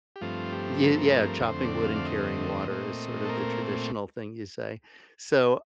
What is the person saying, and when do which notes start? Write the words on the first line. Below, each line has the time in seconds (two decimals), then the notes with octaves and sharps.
ye yeah, chopping wood and carrying water is sort of the traditional thing you say. So
0.16 G4
0.21 G2 F3 A3 C4 F4
0.52 G4
0.83 A#4
0.90 A4
0.98 A#4
1.44 F2 D3 A3 C4 C5
1.65 D5
1.85 F5
1.96 D5
2.06 D#5
2.68 A#2 A3 C4
3.25 A4
3.29 A#4